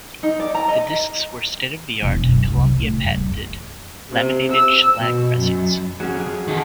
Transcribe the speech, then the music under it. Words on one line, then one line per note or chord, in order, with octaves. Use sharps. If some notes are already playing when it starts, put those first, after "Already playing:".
The discs were state-of-the-art, Columbia-patented, laminated shellac pressings.
D#4
D5
A#5
D#5
E1
F#2
C2
A2
F#2
E2
C3
E6
B2
F#2
F#3 C#4 G#4
F2
D#3 F4 F#4 G#4 A4